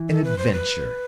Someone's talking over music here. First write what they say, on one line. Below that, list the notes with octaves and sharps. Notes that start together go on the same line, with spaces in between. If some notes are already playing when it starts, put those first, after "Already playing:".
An adventure!
Already playing: E3 E4
A4
B4
C5
B4